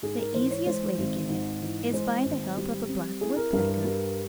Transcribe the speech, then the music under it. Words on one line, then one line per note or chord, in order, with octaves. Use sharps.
The easiest way to get it is by the help of a black woodpecker.
G#2 G#4
A#4
E3 C5
C#5
G#3 C5
G#1
G#2
E3
G#3 C5
G#1
G3
C4
E4 G#4
A#4
G2 A#4
A#4
G3 A#4